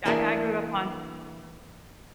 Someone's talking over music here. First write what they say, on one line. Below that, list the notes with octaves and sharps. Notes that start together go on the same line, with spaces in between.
I I grew up on
E3 A#3 D4 G#4